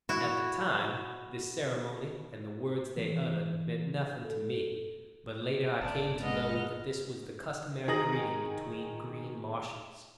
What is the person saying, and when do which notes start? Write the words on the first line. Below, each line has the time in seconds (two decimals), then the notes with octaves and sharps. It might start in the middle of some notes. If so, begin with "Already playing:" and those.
At the time, this ceremony and the words they uttered meant nothing to me, but later I came to know that this was the customary greeting between green Martians.
0.09 E4 F#4
2.97 E3
4.24 A4
5.81 G1 B3 D5 A5
6.20 G#3 B4 D#5 F#5 F6
7.88 D#3 G#4 A#5 D#6 A#6 F#7